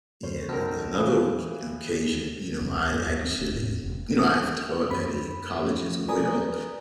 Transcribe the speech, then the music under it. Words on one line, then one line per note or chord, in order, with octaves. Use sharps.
In another oc occasion, you know, I actually, you know, I've taught at a college as well,
F#2 F#3 C5
B1 C4 A#4
E3 F5 D#6
E2
D#2
G2
D#2
C4
E1
A2
E2
F1
F#2 C4 B5
F3 C#4
B4 D5 G#5 A#5 D#6